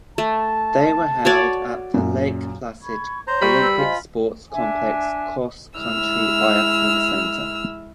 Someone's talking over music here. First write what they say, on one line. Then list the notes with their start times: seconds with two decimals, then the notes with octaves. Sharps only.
They were held at the Lake Placid Olympic Sports Complex Cross Country Biathlon Center.
0.18 A3 A5
1.25 F#4 C#5 D5
1.94 F#2 A#2
2.81 B5 C#6 G#6
3.27 C5 C#5 A#5 C6
3.42 G3 B5 C#6
3.62 B4 E6
3.78 F4 C5 D#5 G#5
4.53 D4 E5 G#5
5.77 G#3 E4 E6 F6